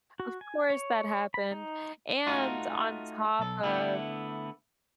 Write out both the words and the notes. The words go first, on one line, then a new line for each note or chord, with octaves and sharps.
of course that happened, and on top of
F#4
G#5
C#5
B5
D#4
A3 D#4 F4 F#4
B1 A4
D3 A3 B3 E4